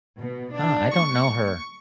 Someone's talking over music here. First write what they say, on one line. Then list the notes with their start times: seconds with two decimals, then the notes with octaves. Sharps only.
Uh, I don't know her.
0.18 B2
0.54 D4
0.94 C#6